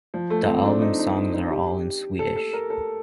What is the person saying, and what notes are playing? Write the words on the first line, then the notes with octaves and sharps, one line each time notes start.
The album's songs are all in Swedish.
F3
A3
C4
D4
D#4
D#4
D#4
G4
A4
A4
A#4
A4